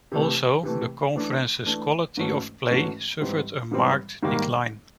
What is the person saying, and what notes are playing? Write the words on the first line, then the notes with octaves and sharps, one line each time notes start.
Also, the conference's quality of play suffered a marked decline.
C3 E3 A3
C3 E3 A3
E3 A3 D4
E3 A3 D4
G#2 E3 A3 C#4 F#4
G#2 E3 A3 C#4 F#4
G#2 E3 G3 C4
G#2 E3 G3 C4
G#2 D#3 G3 A#3